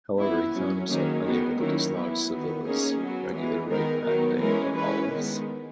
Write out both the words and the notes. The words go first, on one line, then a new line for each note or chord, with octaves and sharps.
However, he found himself unable to dislodge Sevilla's regular right-back Daniel Alves.
E3 B3 E4
F#3 C#4
D#3 F#3 A#3 C#4 G#4
D#3 G#3 B3 F#4
D#3 F#3 A#3 C#4 E4
E3 B3 E4
D#3 F#3 B3
D#3 A#3 C#4 G#4
F#3 B3
E3 G#3 B3 G#4
D#3 G#3 B3 A#4
D#3 F#3 B3
E3 G#3 C#4 A#4
E3 G#3 C#4 B4
D#3 G#3 B3